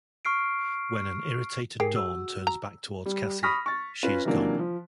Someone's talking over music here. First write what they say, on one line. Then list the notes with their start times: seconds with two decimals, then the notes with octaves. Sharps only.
When an irritated Dawn turns back toward Cassie, she is gone.
0.25 C#6 F6 C7 D7
1.80 G#2 G4 G#4 A#4 C7
1.96 F#4 E6
2.47 A#5
3.06 G3
3.43 B5 C#6 D#6 F6 A#6 B6
3.66 C#6 F6 A6
4.03 C#4 F4 B4
4.25 C3 D#3 E3 F#3 A#3 D4
4.59 F3